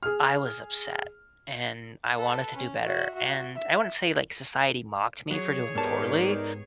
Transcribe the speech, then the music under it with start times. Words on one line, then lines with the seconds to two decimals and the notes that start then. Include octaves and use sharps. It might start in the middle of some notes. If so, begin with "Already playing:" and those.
I was upset, and I wanted to do better. And I wouldn't say, like, society mocked me for doing poorly,
0.03 G#4 F6
2.17 A4 B4
2.56 C#4
2.85 F#4 E5
3.15 F#4 E5
3.55 E5
5.31 F#3 G#4 C#5
5.75 G#2 B3 D#4 G4 A#4 B4 D5 A5